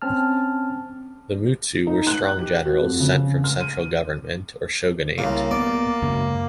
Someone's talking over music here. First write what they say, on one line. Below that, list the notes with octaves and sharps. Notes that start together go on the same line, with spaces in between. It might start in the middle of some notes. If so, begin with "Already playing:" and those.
The Mutsu were strong generals sent from central government, or shogunate.
C4 C#4 A5 F6
D#4
F#6
G4
F#4
F2
C#3
F6
D#7
C2 C#3 A#3
B3 D5
F#2 C#3 G#3